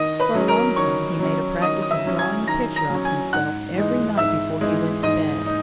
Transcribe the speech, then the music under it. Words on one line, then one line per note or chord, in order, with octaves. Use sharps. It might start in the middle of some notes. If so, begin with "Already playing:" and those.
For a long time he made a practice of drawing a picture of himself every night before he went to bed.
Already playing: D#3 D#5 D#6
B4 B5
F#3 C#4
A#4 A#5
D#3 C#5 C#6
F#3 C#4
D#3 D#5 D#6
D#6
E5 E6
F#3 C#4
G#5 G#6
D#3 A#5 A#6
A#5 A#6
F#3 C#4
G#5 G#6
G#2 F#5 F#6
E3 G#3 D#4
G#2 E5 E6
E3 G#3 D#4
G#2 D#5 D#6
D#4